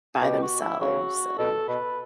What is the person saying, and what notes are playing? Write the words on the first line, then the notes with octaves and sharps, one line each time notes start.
by themselves and,
B2 G4
F#4
E4
C#3 F#4
B2 A4
B2 B4